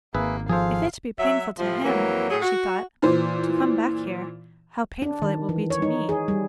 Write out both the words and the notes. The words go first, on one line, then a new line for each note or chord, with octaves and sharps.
'If it be painful to him,' she thought, 'to come back here, how painful it will be to me!
G#1 A#3 G#4 B4 E5
F3 G#4 A4 C5 F5
F#3 E5
A2 C3 F3
F2 E3 F#3 A#3
A2 F#3 G#4
F#4
A#2 E3 C5
D4
D#3
E3
C#5
D#4
G#4
G3